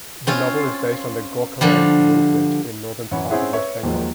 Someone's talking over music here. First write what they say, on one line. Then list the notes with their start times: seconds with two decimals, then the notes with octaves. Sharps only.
The novel is based on the Gorkhaland movement in northern part of West Bengal.
0.27 C4 C#4 F4
1.61 D3 F3 G3
3.11 F#2 E3 C#5 F#5 B5
3.30 C4 C#4 E4 G#4 E5 F#5
3.53 B4 C#5 E5
3.83 D#2 D#3 F3 F#3 G#3 A#3